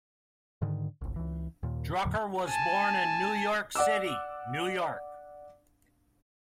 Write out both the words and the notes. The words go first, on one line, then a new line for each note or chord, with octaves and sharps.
Drucker was born in New York City, New York.
G#2 D3 D#3
G1 C2
C#2 E3
D#2 A#2
E2 A2 D3 F#3
G#5 A5
D5 F#5 D6 E6